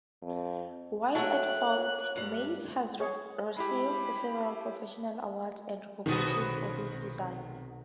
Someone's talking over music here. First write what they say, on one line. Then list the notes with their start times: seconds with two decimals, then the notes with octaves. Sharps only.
While at Ford, Mays has received several professional awards and recognition for his designs.
0.22 F2
1.15 F#3 A3 F#4 C#5 E5 G5 A5 F#6
2.16 G2 G3
3.00 G#4 C#5
3.56 G#3 E4 G4 B5
6.06 B1 C3 D#3 B3 C4 F#4 C5